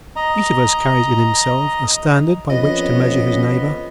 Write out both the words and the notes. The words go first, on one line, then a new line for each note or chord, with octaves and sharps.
Each of us carries in himself a standard by which to measure his neighbour.
D#5 A#5
F2 B3 C#4 D#5